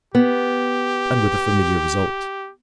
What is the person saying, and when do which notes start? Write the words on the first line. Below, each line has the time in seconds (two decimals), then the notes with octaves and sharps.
And with the familiar result.
0.15 B3 G4